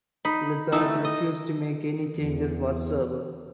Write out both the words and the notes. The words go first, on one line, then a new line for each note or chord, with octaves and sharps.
Izzard refused to make any changes whatsoever.
D#4 B5
E3 A3 D#4 E6
D#5
E2